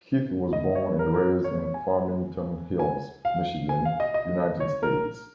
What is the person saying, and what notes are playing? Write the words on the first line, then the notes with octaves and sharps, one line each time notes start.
Keith was born and raised in Farmington Hills, Michigan, United States.
D#5
C#5
A#4
A#4
C#5
C#5
G#5
G#5
F5
G#5
F5
D#5
D#5
C#5
A#4